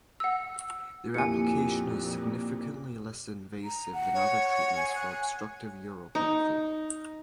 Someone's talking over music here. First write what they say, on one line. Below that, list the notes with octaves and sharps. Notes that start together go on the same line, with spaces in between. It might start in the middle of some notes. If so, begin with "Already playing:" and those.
Their application is significantly less invasive than other treatments for obstructive uropathy.
F#5 E6
F2 A#2 A#3 E4 G4 G#5 C#7
A#5
F#5
C#5
G#5
F#6
D#4